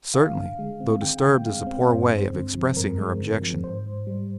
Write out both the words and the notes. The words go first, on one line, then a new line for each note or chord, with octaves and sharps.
"Certainly--though 'disturbed' is a poor way of expressing her objection."
D3 F5
D3
G#3
C4
D3 G5
D3 G5
G#3 F5
C4
G2 C5
G#3
D3
F3
G2 A#4
G#3
D3
F3
G#2 C5
G#2
G3